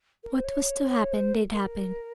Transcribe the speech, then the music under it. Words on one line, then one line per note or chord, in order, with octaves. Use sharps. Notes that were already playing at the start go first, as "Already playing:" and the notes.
What was to happen did happen.
A#4
C5
C#5
C#5
C5
A#4
A#4